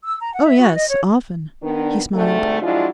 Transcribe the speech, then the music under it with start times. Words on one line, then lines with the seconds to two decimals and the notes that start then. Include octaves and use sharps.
'Oh yes, often.' He smiled.
0.03 E6
0.20 A#5
0.33 F#5
0.45 E5
0.59 F#4
0.75 D#5
0.89 C#5
1.62 D#3 B3 D4
2.14 D2 G#2 C3 G3 A3
2.62 F3 F#3 G#3 D4 E4 F4